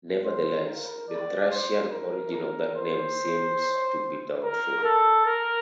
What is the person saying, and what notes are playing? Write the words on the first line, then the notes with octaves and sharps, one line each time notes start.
Nevertheless, the Thracian origin of that name seems to be doubtful.
C5
A#4
D5
C5
A#4
A#4
C5
A#4
A4
A#4